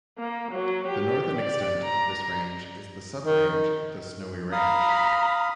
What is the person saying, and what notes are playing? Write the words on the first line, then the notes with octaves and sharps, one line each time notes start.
The northern extent of this range is the sub-range the Snowy Range.
A#3
F#3
G4
D5
A#5
D#3
F5 A#5 B5 D#6